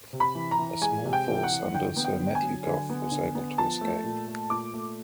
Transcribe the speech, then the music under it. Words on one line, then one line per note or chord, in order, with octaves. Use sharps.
A small force under Sir Matthew Gough was able to escape.
C3
B5
E3
A#5
E3
G#3 G#5
C3
G5
E3
F#5
E3
D3 G5
B3
G5
D3
G#5
F#3
D3
B3
D3
B3
F3 A5
A3
A#2
A3
A#2 D6
A3